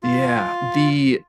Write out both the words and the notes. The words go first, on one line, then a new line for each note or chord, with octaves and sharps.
Yeah, the
F4